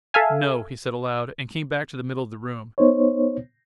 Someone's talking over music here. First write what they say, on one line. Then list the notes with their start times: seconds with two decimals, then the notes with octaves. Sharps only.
"No," he said aloud, and came back to the middle of the room.
0.14 A4 E5 F5 G#5
2.78 B3 D#4 C5 C#5